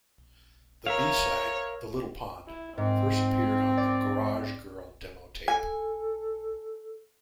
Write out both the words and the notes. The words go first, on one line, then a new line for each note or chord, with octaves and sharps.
The B-side, "The Little Pond" first appeared on the "Garage Girl" demo-tape.
A#4 C#5 E5 F5
E4
G#2 C4
D5
A4 G#5